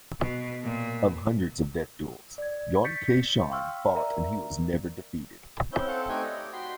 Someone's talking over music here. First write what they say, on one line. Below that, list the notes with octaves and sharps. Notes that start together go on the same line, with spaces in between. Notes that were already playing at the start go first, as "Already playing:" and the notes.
Of hundreds of death duels Yuen Kay Shan fought in he was never defeated.
B2
A#2
D5 G#6
C#6 G6 A6 B6 C#7
F5 G5 C6 C#6 E6 F6
A#4 D5 E5 A#5
C4 C#4 E4 G6
C4 A4 C5 F5 F#5
A3 C4 D#4 G4 G5 G#5
G4 D5 D#5
F#4 G5 B5 C6